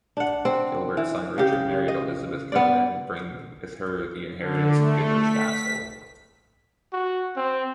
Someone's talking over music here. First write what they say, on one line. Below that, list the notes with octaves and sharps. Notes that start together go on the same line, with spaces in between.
Gilbert's son Richard married Elizabeth Comyn, bringing with her the inheritance of Goodrich Castle.
D4 F#5
C4
E3
C#3 G4
D#5
B3 D5
D3
A3
B6
F#4
C4